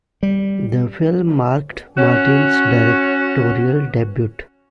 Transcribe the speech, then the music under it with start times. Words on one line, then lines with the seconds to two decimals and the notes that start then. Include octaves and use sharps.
The film marked Martin's directorial debut.
0.23 G3
1.97 C#4 F#4